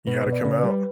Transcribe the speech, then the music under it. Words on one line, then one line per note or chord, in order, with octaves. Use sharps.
You gotta come out.
B2 B4
B2
D5
C#3
B4
G3